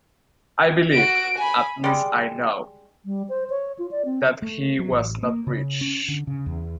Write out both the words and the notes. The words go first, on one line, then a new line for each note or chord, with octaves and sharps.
I believe — at least I know — that he was not rich.
F#4 D7
G#5 B5
G3 G#3
G3
C5
C#5
F4
D5
C4
A3
F#3
A1
A#3
C#3
C#4
D3
C#3
E2